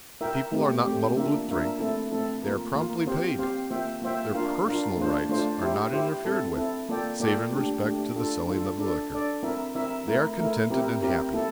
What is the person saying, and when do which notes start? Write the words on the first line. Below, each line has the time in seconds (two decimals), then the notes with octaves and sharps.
The people are not muddled with drink; they are promptly paid; their 'personal' rights are not interfered with, save in respect to the selling of liquor; they are contented and happy.
0.21 E4 A#4 E5 G5
0.52 A3 C4 G4
0.84 A3 C4 G4
1.16 A#3 D4 F4 A#4 E5
1.48 A#3 D4 F4 A#4 E5
1.79 A3 C4 E4 A4
2.12 A3 C4 E4 A4
2.43 A#3 F4 A#4
2.75 A#3 F4 A#4
3.06 C4 G4 C5 F5
3.39 C4 G4 C5 F5
3.70 A#3 F4 C5 E5 G5
4.02 A#3 F4 C5 E5 G5
4.34 D4 F4 A#4 F5
4.66 D4 F4 A#4 F5
4.98 A3 D4 F4 C5
5.29 A3 D4 F4 C5
5.61 E4 G4 C5
5.93 E4 G4 C5
6.25 C4 E4 A4
6.56 C4 E4 A4
6.89 A#3 F4 A4 D5 G5
7.20 A#3 F4 A4 D5 G5
7.52 A3 D4 G4
7.84 A3 D4 G4
8.16 D4 F4 A4
8.48 D4 F4 A4
8.79 D4 A4 D5
9.11 D4 A4 D5
9.43 C4 E4 A#4 E5
9.75 C4 E4 A#4 E5
10.07 A3 E4 A#4
10.38 A3 E4 A#4
10.70 C4 E4 G4 A#4
11.01 C4 E4 G4 A#4
11.34 A#3 E4 A4